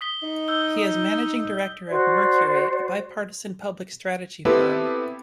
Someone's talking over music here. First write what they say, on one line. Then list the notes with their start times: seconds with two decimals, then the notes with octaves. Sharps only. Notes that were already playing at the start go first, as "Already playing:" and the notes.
He is managing director of Mercury, a bipartisan public strategy firm.
0.01 D#6 B6 G7
0.22 D#4
0.48 E6 G6 G7
0.75 D#6
1.88 F#4 C5 D5
4.45 B3 C4 E4 G4 A4 B4